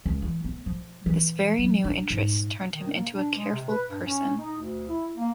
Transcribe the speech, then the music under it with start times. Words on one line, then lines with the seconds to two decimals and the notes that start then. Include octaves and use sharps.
This very new interest turned him into a careful person.
0.06 C#2
0.22 E3
0.44 B3
0.66 F3
1.06 E3
1.58 F#3
1.84 D4
2.10 G#2
2.73 D#3
2.93 A#3
3.14 D4
3.36 G#3
3.53 C3
3.69 B4
3.90 G2
4.06 C#4
4.38 D#4
4.59 D2
4.89 E4
5.17 A#3